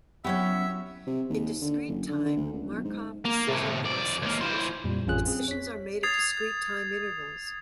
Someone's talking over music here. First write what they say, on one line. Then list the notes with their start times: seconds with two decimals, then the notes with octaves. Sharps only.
In discrete-time Markov Decision Processes, decisions are made at discrete time intervals.
0.24 F#3 B3 C#4 E4 G4 C#5 E5
1.07 C3
1.30 D#2
1.62 D3
1.88 F#1
2.09 D3
2.25 D3
2.37 D2
2.53 C#2
2.70 B1
2.85 G#2
3.25 A#3
3.48 A2 C3
3.85 F2 D5
4.22 C#2 A#3
4.41 E3 C5
4.84 F2 A#2 G3
5.07 A1 F2 C#4 F4 G#4 F#6
5.26 C4 G#4
5.48 C#5 B6
6.03 D#6 G#6 A6 C7 F7